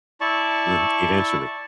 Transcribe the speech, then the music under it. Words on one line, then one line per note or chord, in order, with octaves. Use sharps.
Mhm. Eventually.
E4 D5 A5 C#6